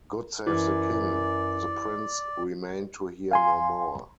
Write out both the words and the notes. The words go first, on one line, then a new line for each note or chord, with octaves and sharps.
God save the king! The prince remained to hear no more.
F#2 E3 D5
F5 G#5 C6